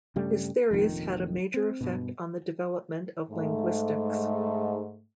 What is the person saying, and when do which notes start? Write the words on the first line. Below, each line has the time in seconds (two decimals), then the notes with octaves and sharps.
His theories had a major effect on the development of linguistics.
0.16 G2 C#3 G3 A3
0.71 F1 A#1 F2 D#3
1.54 C4
1.81 G2 B2
3.29 G#2 A3